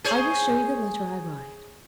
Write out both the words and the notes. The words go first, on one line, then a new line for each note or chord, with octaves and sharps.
"I will show you the letter I write."
G#4 C5 C#5